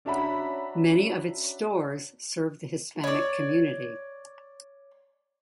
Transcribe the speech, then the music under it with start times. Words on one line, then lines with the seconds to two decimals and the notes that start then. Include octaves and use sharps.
Many of its stores served the Hispanic community.
0.05 C#4 D4 F#4 E5 A#5 B5
3.04 C#5 D5